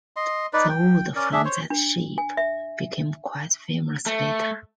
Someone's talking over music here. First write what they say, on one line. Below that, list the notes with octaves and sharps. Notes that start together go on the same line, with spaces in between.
The wood from that ship became quite famous later.
D#5 C6
D#4 B4 D5
G5
C#4 A#4 D5
D4 G#4 E5
C5 C#5
D4
G#5
E5
A3